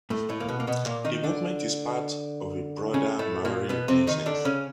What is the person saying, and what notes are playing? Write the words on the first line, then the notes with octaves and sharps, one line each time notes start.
The movement is part of a broader Māori Renaissance.
A2 A3
A2 A3
A#3
B2 B3
A#3
B2 B3
A#2 A#3
D#3 D#4
D3 D4
C#3 C#4
A2 A3
A#2 A#3
B2 B3
C3 C4
D#3 D#4
D3 D4
C#3 C#4